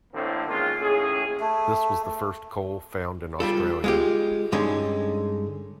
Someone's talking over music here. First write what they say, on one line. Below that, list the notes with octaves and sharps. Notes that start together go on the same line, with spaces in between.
This was the first coal found in Australia.
A1 A2 D3 A3 A#3 C4
D#3 G#3 A#3 C#4 F4
D#2 A2 C#4 G#4
A3
C#2 G3 F4 A4
G#3 F4 G4
G2 D3 G#3 C#4 D#4